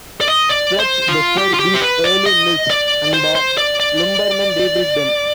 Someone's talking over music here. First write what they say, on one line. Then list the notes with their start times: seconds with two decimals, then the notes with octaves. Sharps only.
Floods destroyed these early mills, and the lumbermen rebuilt them.
0.21 D5
0.28 D#5
0.49 D5
0.80 C5
1.09 F4
1.38 G4
1.54 F4
1.59 G4
1.74 C5
1.82 B4
2.04 D5
2.26 D#5
2.70 D5
3.14 C5
3.35 C5
3.58 D5
3.80 D5